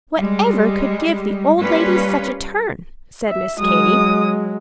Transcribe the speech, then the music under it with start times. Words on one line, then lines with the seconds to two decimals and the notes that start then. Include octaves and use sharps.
"Whatever could give the old lady such a turn?" said Miss Katy.
0.17 G3 G#3
1.58 G3 A#3 C#4 F4 B4
3.29 E5
3.60 F#3 G#3 D#6